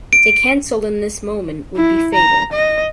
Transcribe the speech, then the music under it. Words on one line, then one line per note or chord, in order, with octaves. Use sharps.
To cancel in this moment would be fatal.
D7
E4
A#5
D#5